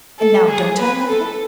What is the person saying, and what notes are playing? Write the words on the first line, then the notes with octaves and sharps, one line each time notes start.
And now don't I love him?
A4
G#4
B4
A4